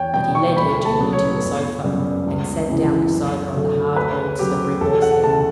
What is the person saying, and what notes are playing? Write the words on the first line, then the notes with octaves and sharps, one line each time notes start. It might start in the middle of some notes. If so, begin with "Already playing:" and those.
But he led her gently to the sofa, and sat down beside her on the hard old slippery horsehair.
Already playing: E2 C#5 G5
B2 G3 B3 G5
C#6
D2 B5
A5
C#3 F#3 B3
C#5
G1
F#2 C#3 G3 B3
C#2
C#3 E3 B3
F#2
D3 F#3 A3
D2 B4
C#3 F#3 B3 G4
E1 A4
F#5
D2 C#3 A5